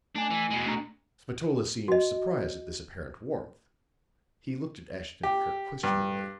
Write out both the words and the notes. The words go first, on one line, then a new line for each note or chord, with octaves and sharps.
Spatola seemed surprised at this apparent warmth; he looked at Ashton-Kirk questioningly.
A3 D4 G#5
E3
B2 G#3
A3 D4 A#5
F#4 D#5
G4
G2